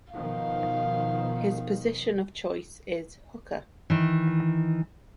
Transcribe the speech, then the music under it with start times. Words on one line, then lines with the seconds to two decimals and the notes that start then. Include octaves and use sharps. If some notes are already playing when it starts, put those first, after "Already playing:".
His position of choice is Hooker.
0.13 B2 D#3 F3 F5
3.90 D#3 E3